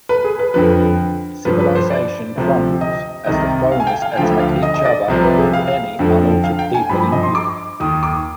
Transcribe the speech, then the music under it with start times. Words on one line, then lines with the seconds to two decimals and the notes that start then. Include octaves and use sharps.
Civilization crumbles as the "phoners" attack each other and any unaltered people in view.
0.09 B4
0.24 G#4
0.39 B4
0.54 F2 D3 F3 B4
1.45 G2 F3 B4
1.60 B4
1.75 C5
1.90 D5
2.36 D2 C3 F3
2.81 D#5
3.26 C2 C3 D#3 D#5
3.72 F5
3.80 G#5
3.87 G5
4.02 F5
4.17 D2 D3 F3 G5
4.40 F5
4.63 D#5
4.74 D#5
4.85 D5
5.08 C2 C3 F3
5.23 B4
5.38 G#4
5.53 F5
5.99 F2 D3 F3
6.44 F5
6.59 G5
6.74 G#5
6.89 G2 F3 B5
7.01 B5
7.12 D#5
7.23 C6
7.35 D6
7.80 D#2 D#3 D#6
8.03 D6